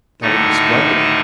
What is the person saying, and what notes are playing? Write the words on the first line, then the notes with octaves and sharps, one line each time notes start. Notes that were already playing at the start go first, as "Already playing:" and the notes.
"That would be splendid."
D2 A2 D#3 A3 D#4 C#6